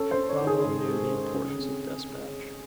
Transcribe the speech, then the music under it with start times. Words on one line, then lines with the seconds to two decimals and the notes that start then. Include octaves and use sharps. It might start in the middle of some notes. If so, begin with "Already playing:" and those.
But Cromwell knew the importance of despatch.
Already playing: C#4 A4
0.11 C5
0.17 C#4
0.29 C#5
0.41 D#3
0.47 G#4
0.64 G#2
0.88 G#3
1.12 C#4
1.34 C#3
1.59 C4